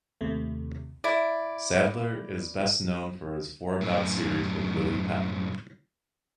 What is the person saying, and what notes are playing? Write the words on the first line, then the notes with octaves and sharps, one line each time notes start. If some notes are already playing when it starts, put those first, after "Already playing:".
Saddler is best known for his four-bout series with Willie Pep.
D#2 C3 A3
E4 D5
F#2 A2